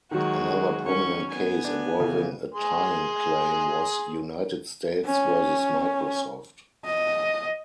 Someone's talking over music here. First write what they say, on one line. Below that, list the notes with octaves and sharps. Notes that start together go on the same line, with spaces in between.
Another prominent case involving a tying claim was "United States versus Microsoft".
D#3 F#3 G#3 F#4
C#4 C#6
B3 G#5
D4
C#3 E3
G#4 G#5 C6
C#4
D#5